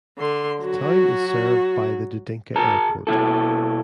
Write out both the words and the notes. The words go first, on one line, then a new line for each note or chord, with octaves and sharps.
The town is served by the Dudinka Airport.
D3 C6
F#3 F#4
G#4 A5 A#5
B2 E4 A4